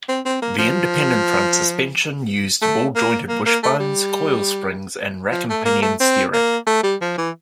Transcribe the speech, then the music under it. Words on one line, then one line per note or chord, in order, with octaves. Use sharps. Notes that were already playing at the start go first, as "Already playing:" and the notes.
The independent front suspension used ball-jointed wishbones, coil springs and rack-and-pinion steering.
C4
C4
A#3
F3
A3
A#3
A#3
A#3
A3
G3
F3
A3
A#3
A3
C4
A#3
A3
G3
F3
E3